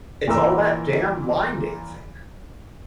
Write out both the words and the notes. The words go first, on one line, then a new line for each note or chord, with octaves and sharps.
It's all that damn line dancing.
A#2 E3 A#4 E6